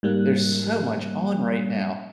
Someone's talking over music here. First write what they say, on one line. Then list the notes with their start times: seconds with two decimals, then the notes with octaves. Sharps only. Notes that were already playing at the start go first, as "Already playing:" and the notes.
there's so much on right now
0.03 G#2 G3 A#3 F#6